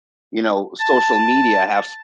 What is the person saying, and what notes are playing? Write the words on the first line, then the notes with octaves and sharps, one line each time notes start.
you know, social media have s
A5